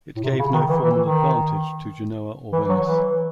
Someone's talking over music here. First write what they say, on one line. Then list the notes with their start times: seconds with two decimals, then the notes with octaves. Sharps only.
It gave no formal advantage to Genoa or Venice.
0.16 A2
0.23 C3
0.39 C#3
0.53 D#3
0.69 E3
0.84 E3
1.00 D#3
2.53 E3
2.69 F#3
2.84 E3